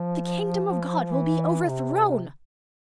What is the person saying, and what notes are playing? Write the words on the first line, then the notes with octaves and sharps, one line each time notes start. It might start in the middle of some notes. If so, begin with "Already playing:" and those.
The kingdom of God will be overthrown...
Already playing: F3
E3
C3